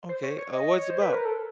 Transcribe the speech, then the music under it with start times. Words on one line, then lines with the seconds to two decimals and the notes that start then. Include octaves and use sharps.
Okay, uh, what it's about?
0.09 C5
0.23 C#5
0.38 C#5
0.53 D#5
0.78 C#5
0.90 C5
1.01 B4
1.13 A#4
1.25 A4